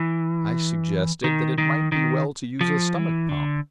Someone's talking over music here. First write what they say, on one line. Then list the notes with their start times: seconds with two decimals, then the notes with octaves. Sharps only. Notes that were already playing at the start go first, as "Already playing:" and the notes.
I suggested that it might be well to use a stomach-pump.
Already playing: E3
1.24 D#3
1.58 D#3
1.92 D#3
2.61 F3
2.95 E3
3.29 D3